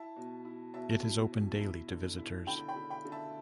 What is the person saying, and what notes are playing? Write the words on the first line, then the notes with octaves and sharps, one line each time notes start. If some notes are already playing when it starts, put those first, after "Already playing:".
It is open daily to visitors.
Already playing: E4 E5 A5
B2
E4
B2 E5 A5
E4
B2
E4
D3
E4
D3 G5 B5
G5 B5
D3
G5 B5
D3
E5 A5